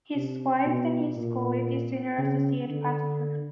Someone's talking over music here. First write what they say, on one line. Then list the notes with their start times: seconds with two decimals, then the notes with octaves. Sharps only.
His wife Denise Goulet is Senior Associate Pastor.
0.16 C3
0.66 B2
1.17 A#2
2.18 C#3
2.69 D3